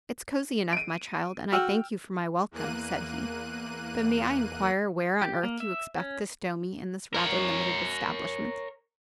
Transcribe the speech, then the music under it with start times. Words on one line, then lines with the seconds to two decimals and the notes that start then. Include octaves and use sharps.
"It's cozy enough, my child; and I thank you for my welcome," said he. "But may I enquire where on earth you expect to stow me in this rather limited establishment?"
0.73 D7 D#7
1.52 F#4 G5 E6 F6
2.51 E2 A#3 F#6 D#7
5.22 G4
5.43 A#3
5.60 E5
5.98 C#4
7.14 A#4 C#5